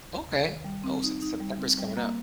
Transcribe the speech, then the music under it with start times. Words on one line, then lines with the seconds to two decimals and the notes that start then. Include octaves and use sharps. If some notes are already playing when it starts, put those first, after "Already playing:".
Okay. Oh, Sep September's coming up.
0.08 D2
0.27 C3
0.47 D#3
0.64 G3
0.84 C4
1.03 D#4
1.22 D#4
1.40 G3
1.59 C4
1.78 G3
1.97 A#3